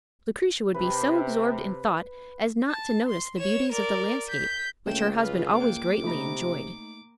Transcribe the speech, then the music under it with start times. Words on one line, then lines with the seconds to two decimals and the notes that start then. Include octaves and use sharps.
Lucretia would be so absorbed in thought as not to notice the beauties of the landscape, which her husband always greatly enjoyed.
0.74 C3 B4
2.68 A5
3.09 C6
3.38 C#5 E7
3.72 A#4 D5
4.30 G6 B6
4.87 C#2 A3 A#3 C#4 G5 E7
5.19 F4 B4 F6
5.60 A#3 G5 D6 F#6
6.04 C3 A3 D#4 A#5 B5 D#6